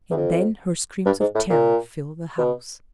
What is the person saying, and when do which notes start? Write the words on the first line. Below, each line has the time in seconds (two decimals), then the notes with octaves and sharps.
And then her screams of terror filled the house!
0.11 E2
0.17 F2
1.05 G2
1.20 G#2
1.35 A2
1.50 A#2
2.38 B2